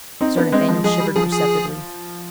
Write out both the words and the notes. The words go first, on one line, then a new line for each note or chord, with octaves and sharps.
Sir Nathaniel shivered perceptibly.
C4 D#4
B3 D4
G#3 C4
F3 G#3
F3 G#3 G#4
G3
F3 G#4
G#4